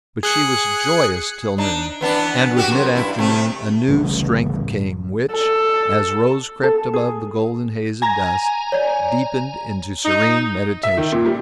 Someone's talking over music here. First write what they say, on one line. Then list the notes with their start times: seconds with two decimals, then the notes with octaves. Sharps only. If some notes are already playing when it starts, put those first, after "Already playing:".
But she was joyous till noon; and with mid-afternoon a new strength came which, as rose crept above the golden haze of dust, deepened into serene meditation.
0.23 G#4 F#6 C#7
1.58 D4 D#4
2.01 E3 B3 D4
2.57 F#4 G4
2.72 F#2
2.95 G2 E4
3.19 C3 A3
3.88 A1 D2 C#3 G3
5.32 A4
6.63 A4
6.94 G#4
8.02 G#5 A#5
8.72 C#5 D5
10.05 D#4
10.83 E5
10.97 D#3
11.12 A#2
11.26 G3